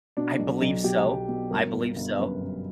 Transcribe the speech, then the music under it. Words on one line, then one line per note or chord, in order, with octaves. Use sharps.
I believe so. I believe so.
B2 D4
B1
B1
B2 G4
B1
B2
G1 A#4
G1
G1
F#2 B4
G1